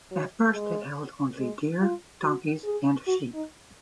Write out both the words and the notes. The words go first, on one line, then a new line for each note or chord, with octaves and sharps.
At first, it held only deer, donkeys, and sheep.
F#3
G#3
G#3
F4
F#4
G#4
F#4
D#4